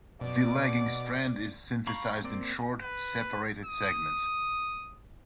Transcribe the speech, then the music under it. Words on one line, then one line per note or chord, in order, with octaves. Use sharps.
The lagging strand is synthesized in short, separated segments.
B2 D5 D6
F5 A#5 B5 C#6
A#3 C4 D5
B4
D#6